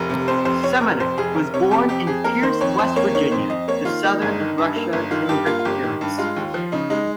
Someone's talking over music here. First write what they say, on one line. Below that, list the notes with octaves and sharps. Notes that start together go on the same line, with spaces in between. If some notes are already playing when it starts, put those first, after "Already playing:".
Seminick was born in Pierce, West Virginia to southern Russia immigrant parents.
Already playing: F1 A#4
C3
F2 C5
F1 C5
F1 C#5
C3 A#4
F2 C5
F1 G#4
F1 A#4
C3 C#5
F2 G4
F2 G4
F2 G#4
A#3 A#4
D#3 C5
F2 C#5
F2 C5
A#3 C#5
D#3 C#5
F2 C5
F2 D#5
A#3 C#5
D#3 F4
A#3 D#4
G1
D#3
G2
A#3
G1
D#3 F4
G2 G4
A#3 F4
F4
G1 G4
D#3
G2
G#3 F4
D#2
F3
C#3 D#4
G#3 D#4